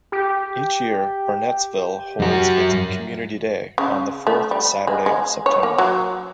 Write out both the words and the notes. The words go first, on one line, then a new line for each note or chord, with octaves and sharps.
Each year Burnettsville holds its Community Day on the fourth Saturday of September.
G4
F#2 F#4
C#3
A3
G3
G#3
G#3
C#5
A#3
F#3